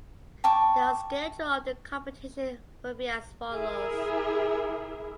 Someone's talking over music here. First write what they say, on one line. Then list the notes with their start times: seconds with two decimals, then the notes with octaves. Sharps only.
The schedule of the competition will be as follows.
0.44 G5 A5 C#6 D6
3.53 E4 G#4 A#4 E5